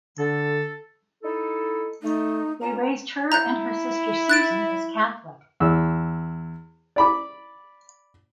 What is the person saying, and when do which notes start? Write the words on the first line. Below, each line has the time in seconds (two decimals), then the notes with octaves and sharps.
They raised her and her sister Susan as Catholic.
0.19 D3 A4
1.23 D#4 E4 A4
2.03 A3 D#4
2.61 C#4 F4 A#5
3.32 E4 A#5 F#6 G6
4.29 F#6 A6 D7
5.60 E2 E6
6.96 D5 B5 D6